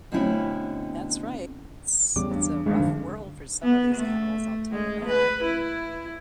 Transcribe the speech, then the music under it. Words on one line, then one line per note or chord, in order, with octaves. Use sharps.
That's right, s it's a rough world for some of these animals, I'll tell you that, and
B2 D3 A3 C4 C#4 E4
E2 C#3 G3 D6
G2
G#1 G2 G#3
F2 D3
B3
A3
G#3
B4
E4